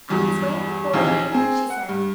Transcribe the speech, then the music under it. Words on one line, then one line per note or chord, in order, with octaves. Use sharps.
"I was waiting for you," she said.
E2 G2 F#3
A#1 D#2 E3 D#4 G#4 F5
C4 G#4
F#5
G2